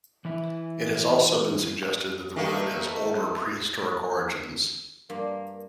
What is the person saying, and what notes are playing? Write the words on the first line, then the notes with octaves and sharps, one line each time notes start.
It has also been suggested that the road has older prehistoric origins.
E3 E4 E5
D#3 A3 A#3
G2 A#3